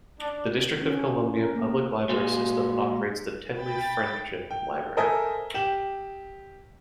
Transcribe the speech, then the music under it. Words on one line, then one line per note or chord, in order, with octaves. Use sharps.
The District of Columbia Public Library system operates the Tenley-Friendship Library.
D4
C#4
A#4
A#3
A#2 G#3 F#4
G5 B5 A6
G5
A4 A#4 C5 D#5 E5 G#5
G4 E7 F#7